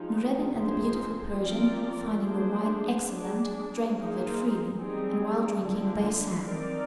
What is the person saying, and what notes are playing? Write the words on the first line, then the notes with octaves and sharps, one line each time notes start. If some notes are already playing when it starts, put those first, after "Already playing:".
Noureddin and the beautiful Persian, finding the wine excellent, drank of it freely, and while drinking they sang.
Already playing: F3 G#3 D#4
F3 C4 D#4 G#4 C5
F3 C4 F4 A#4 D5
A#3 D4 G#4 C5
G#3 D4 G#4
A#3 D#4 G#4 C5
G3 C4 D#4 G#4
D3 F3 G#3 D4
C4 D#4 A#4 D5